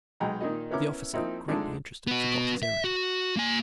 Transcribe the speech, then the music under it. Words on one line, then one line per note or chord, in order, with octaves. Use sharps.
The officer, greatly interested, forgot his errand.
B1 G#3 G5 A#5
A#2 D#3 D#4 D#5
B3 C#4 E4 A#4 D6
F3 A#3 C4 D#4 E4
D3 F3 G#3 A3 D4 D#4
B3 F#4
E5
F#4
A#3 G#5